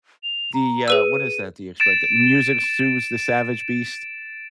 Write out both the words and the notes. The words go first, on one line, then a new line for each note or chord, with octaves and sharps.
the, uh, what is that, the expression? The "music soothes the savage beast?"
F7
A#5
G#4 B4 E6 D#7
A6 D7 E7